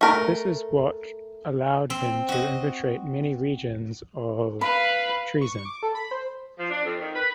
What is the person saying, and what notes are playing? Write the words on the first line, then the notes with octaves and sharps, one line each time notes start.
This is what allowed them to infiltrate many regions of Treason.
A3 A#4
C4
F#4 D#5
B4 F5 B5
C#6
D6
A4
B5
C5
F3
D4
F2
D#3
B4